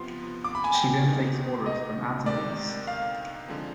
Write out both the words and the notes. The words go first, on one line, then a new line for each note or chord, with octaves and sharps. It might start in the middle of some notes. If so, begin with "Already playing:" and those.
She then takes orders from attendees.
Already playing: C3 F3 B3 F4 C6
D6
B5
G#5
G5
G#2 D#3 B3 D#4
D#5
D2 C3 D#3 D5
F5
D3 F3 G#3 C4 D#4